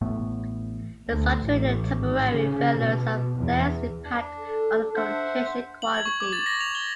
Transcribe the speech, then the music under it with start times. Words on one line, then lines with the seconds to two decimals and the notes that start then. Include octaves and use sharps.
In such a way, temporary failures have less impact on the communication quality.
0.01 A1 A2 A3 B3
1.10 D2
1.40 A1
1.99 G#1
2.31 C#3
2.79 B2
3.36 E2
4.05 D4
4.38 A4
4.96 D4 C5 E5 F#5
5.82 F#7
5.94 G#6
6.06 C#6
6.20 D6
6.33 A6
6.46 A#6
6.61 F7
6.75 G7